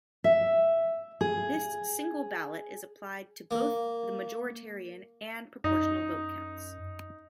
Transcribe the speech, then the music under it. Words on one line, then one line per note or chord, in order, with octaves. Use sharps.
This single ballot is applied to both the majoritarian and proportional vote counts.
E5
G#4
A#3
F#2 D#4